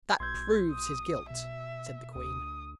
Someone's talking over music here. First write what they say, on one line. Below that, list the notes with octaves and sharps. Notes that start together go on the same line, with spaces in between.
'That PROVES his guilt,' said the Queen.
B1 C6 E6 G6 G#6
D#6
B2 E5
D2 D#6